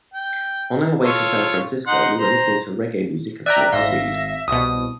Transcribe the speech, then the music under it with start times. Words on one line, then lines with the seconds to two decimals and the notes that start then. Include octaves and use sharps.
On our way to San Francisco, we were listening to reggae music and smoking weed.
0.14 G5
1.02 F4 A4 C#5
1.87 D#4 F#5 C6
2.18 C5 A#5
3.46 D5 E5 G5 A#5 F#6
3.73 G#1 E5 F5 A#6
4.48 C2 B2 D#6